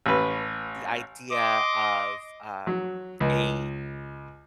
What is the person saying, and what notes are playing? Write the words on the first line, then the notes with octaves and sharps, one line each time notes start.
the idea of, um, a
A1 B4
D#5 C6 D6
F#3
C#2